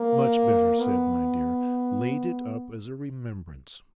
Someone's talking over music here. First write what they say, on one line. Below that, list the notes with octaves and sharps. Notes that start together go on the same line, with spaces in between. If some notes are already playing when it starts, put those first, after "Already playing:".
'Much better said, my dear; laid it up as a remembrance.
Already playing: A#3
B3